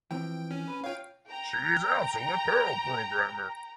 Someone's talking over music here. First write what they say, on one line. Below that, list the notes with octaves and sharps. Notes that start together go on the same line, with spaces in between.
She is also a Perl programmer.
E3 F3 C4 G5
C#4
B4
F4 C#5 F5 G5
G5 A#5